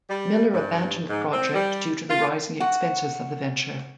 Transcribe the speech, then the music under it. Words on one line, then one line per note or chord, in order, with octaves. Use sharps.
Miller abandoned the project due to the rising expenses of the venture.
G3
G2
G#2
C4
G3
F4
F#4